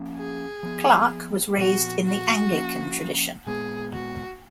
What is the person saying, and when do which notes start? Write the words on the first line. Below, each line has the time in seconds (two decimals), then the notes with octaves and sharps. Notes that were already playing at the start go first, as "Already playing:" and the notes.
Clark was raised in the Anglican tradition.
Already playing: F3 A#3 C#4
0.17 G#4
0.63 F3 B3
1.58 A#2 F3 B3 F#4
2.05 F#4
2.52 F3 A#3 C#4
3.46 A#2 G#3 B3 G#4
3.93 F#4